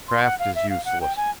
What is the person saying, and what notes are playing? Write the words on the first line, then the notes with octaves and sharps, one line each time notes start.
Craft is useless!
C6
F#5
F5
E5
F5
F#5
G5
G#5